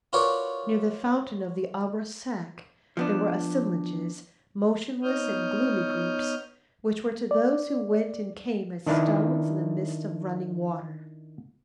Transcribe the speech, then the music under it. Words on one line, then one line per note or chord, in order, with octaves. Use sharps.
Near the fountain of the Arbre-Sec, there were "assemblages", motionless and gloomy groups which were to those who went and came as stones in the midst of running water.
F4 F#4 A#4 B4 C#5 D5
F3 B3 D4
B3 D#4 C#5 D#6 F6 G6
D5
D#3 D4 E4 B4